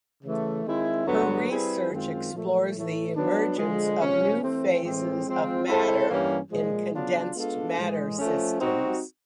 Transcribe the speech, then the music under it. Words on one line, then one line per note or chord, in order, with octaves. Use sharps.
Her research explores the emergence of new phases of matter in condensed matter systems.
C#3 E3 A3
D#3 G#3 C4 E4
G2 D3 F#3 B3
G3 C4 E4 G#4 B4
F#2 D#3 G#3 C4 F4
A#2 F3 A3
A2 E3 A3
F#3 B3 D4
D3 F3 G#3
C3 F3 G#3 C#4
E3 A3 C4
A2 E3 G#3 C4
F3 G#3 C4 F4
G#3 C4 E4 A4 C5
G2 E3 G3 A#3 C#4
A#2 F3 G#3
C#3 F#3 B3 D4 F4
G#3 B3 D4 F4 A4
A2 E3 G#3
F3 A3 C#4
G3 C4 D#4 F#4